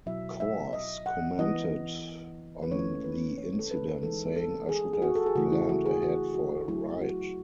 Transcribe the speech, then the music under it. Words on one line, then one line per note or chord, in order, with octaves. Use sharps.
Coors commented on the incident, saying, I should have planned ahead for a ride.
B2 F#3 B3 E4 E5
E5
D#5
F#5
E3 B3 E4 D#5
B4
D#3 A3 C#4 E4 C#5
B4
C#5
A4
B4
E3 G#3 D#4 A4
A4
G#4
G#4
F#4
A4
G#4
C#3 E3 A3 E4 F#4
E4
F#4
G#4
F#4
F#4
F#3 A3 E4
F#4